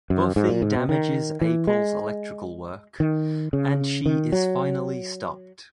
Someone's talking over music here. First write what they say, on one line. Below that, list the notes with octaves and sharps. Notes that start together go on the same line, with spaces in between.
Buffy damages April's electrical work, and she is finally stopped.
F#2
G#2
A#2
G#2
B2
D#3
E3
G#3
D#3
C#3
D#3
F#3